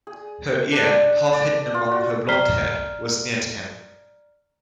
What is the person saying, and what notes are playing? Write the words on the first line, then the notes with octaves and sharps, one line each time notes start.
Her ear, half-hidden among her blonde hair, was near to him.
G#4
D4
D5
F4
F#4
D5 A#5 F6 B6 C7 G7